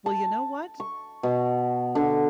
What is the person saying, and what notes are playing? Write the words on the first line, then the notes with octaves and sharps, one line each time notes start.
"Well, you know what?
A5
C#6
B2
D3